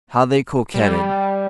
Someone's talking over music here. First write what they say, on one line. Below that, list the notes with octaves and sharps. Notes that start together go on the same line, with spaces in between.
How they coquetted!
G3